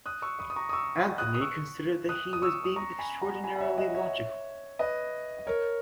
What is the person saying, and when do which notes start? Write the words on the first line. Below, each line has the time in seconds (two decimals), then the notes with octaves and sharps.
Anthony considered that he was being extraordinarily logical.
0.06 D#6 F#6
0.22 C#6 E6
0.39 B5 D#6
0.50 D#6
0.56 A#5 C#6
0.69 D#6
0.73 C#6 E6
0.96 B5 D#6
1.18 D#6 F#6
1.34 D#6
1.40 C#6 E6
2.09 D#6 F#6
2.33 D#6
2.42 C#6 E6
2.64 D#6
2.76 A#5 C#6
2.99 G#5 B5
3.22 F#5 A#5
3.44 G#5 B5
3.56 F#5
3.61 C#5 E5
3.78 D#5 F#5
3.95 C#5 E5
4.79 B4 D#5
5.47 A#4 C#5